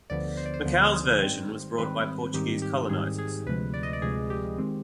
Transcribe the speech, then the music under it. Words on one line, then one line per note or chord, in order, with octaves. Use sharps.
Macau's version was brought by Portuguese colonizers.
D2 D3 F3 B3 D5
C5
D5
C5
D2 D3 F3 B3
G#2 D#3 G3 C4
G#2 D#3 G3 C4 B4
G#2 D#3 G3 C4 D#4 G4
G4
G#2 D#3 G3 C4 D#4 G#4
G#4
D2 C3 F3 G#3 B4
D5
D#5
D5
D2 C3 F3 G#3 G#4
G4
D#3 G#3 C4